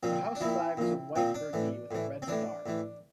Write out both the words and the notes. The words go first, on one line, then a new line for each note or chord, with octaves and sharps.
The house flag was a white burgee with a red star.
A#2 F3 C4
D4
A#2 F3 C4 E4
A#2 F3
A#2 F3 C4
D4
A2 E3
A2 E3
C4
A2 E3 D4
A2 E3